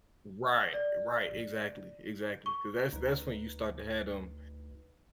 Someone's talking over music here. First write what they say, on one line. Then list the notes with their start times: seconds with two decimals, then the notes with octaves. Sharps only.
Right, right, exactly, exactly, 'cause that's that's when you start to have them,
0.74 D5
2.46 C#6
2.93 D2 D#4 B4